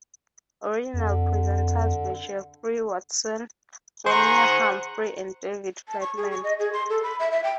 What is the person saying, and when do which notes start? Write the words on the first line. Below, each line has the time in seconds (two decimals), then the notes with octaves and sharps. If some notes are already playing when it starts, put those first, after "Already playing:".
Original presenters were Jeffrey Watson, Sonia Humphrey and David Flatman.
0.94 F2 D3
4.06 D#3 G#4 C5 F#5 A#5
5.88 A5
6.01 C#6
6.17 G#4
6.31 C#6
6.44 D#5
6.59 G#4
6.73 C6
6.90 A4
7.03 B5
7.20 E5
7.32 E5
7.44 G5